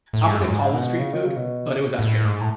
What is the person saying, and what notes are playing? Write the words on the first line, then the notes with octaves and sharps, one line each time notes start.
I'm gonna call this street food, but it was at a fair.
A2
G#2
F#2
G#2
B2
C#3
D#3
C#3
B2
A2
G#2
A2